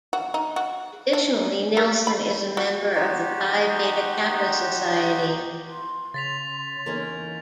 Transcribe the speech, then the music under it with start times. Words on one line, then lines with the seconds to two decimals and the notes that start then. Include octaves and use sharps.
Additionally, Nelson is a member of the Phi Beta Kappa Society.
0.13 F#4
0.34 D#4
0.56 F#4
1.13 D4
1.77 A#4
2.07 B5
2.57 F#4
2.95 D#4 F#4 G4 C5
5.69 C6
6.14 C#3 A6 B6 F7
6.86 E2 A#3 C#4 D#4